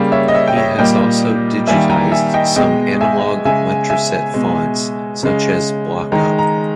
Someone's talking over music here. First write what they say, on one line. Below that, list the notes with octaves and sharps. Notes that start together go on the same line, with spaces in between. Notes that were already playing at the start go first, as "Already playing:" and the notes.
He has also digitised some analog Letraset fonts such as Block-Up.
Already playing: C#3 G3 A#3
C#5 E5
D#5
C#5 E5
G5
C#5 E5
A#2 G3 A#3 D#5 G5
D#3 G3 A#3 E5 G#5
G5 A#5
E5 G#5
D#5 G5
B2 G#3 D#5 G5
E5 G#5
C#3 G#3 E5 G#5
E5 G#5
B2 G#3
C#3 G#3
D#3 G#3 A#5
A#5